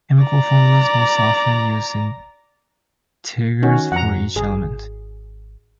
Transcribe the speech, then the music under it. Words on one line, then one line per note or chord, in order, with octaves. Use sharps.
Chemical formulas most often use integers for each element.
D5 A#5
D#3 C#4 F#4
F2 F#5 A#5
G#1 G#4